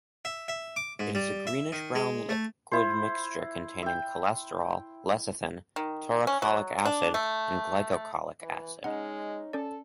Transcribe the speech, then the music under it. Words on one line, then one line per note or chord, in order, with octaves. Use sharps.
It is a greenish-brown liquid mixture containing cholesterol, lecithin, taurocholic acid, and glycocholic acid.
E5
E5
D6
G#2
G3
E5
D#3
G#3
A3
E4 C5
E5 G5
D#3
C#4
F#3
D4
A3
E3
G#3 C#4 D#4 F#5
C#4 A4 D5